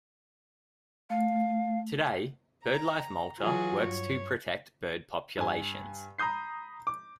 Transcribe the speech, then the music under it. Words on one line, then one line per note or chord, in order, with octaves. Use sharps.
Today Birdlife Malta works to protect bird populations.
A3 F5
A#5
E3 F#3 F4 F#4 G#4
G2 C#5
G2 G#5
A#5 B5 D#6 G6 C7
D6